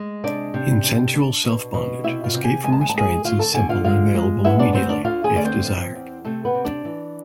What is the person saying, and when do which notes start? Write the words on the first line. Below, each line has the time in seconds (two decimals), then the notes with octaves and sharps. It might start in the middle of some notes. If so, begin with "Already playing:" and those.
In sensual self-bondage, escape from restraints is simple and available immediately, if desired.
Already playing: G#3
0.24 C3 D4 D5
0.54 C3
0.84 D4
1.14 D4
1.44 B2
1.74 B2
2.04 C3 E4 E5
2.24 F4 F5
2.34 C3
2.44 G#4 G#5
2.64 G#3 G#5
2.72 A5
2.81 G#5
2.90 A5
2.94 G#3 G#4 G#5
3.24 D2 F4 F5
3.39 A4 A5
3.54 D3 G#4 G#5
3.69 F4 F5
3.84 G#3 F4 F5
4.15 G#3
4.45 B3 E4 E5
4.59 D4 D5
4.75 D2 C4 C5
4.89 D4 D5
5.05 D3 F4 F5
5.24 G#4 G#5
5.35 D2 D5
5.45 C4 C5
5.65 F3
5.95 E2
6.25 C3 A3 A4
6.45 B3 B4
6.55 C3
6.65 D4 D5
6.85 E3